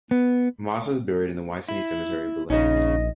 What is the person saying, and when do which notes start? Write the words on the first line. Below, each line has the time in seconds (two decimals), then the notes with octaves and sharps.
Mosse is buried in the Weissensee Cemetery, Berlin.
0.11 B3
1.69 E4
2.50 A#1 C#3 C#4 D#4 D#5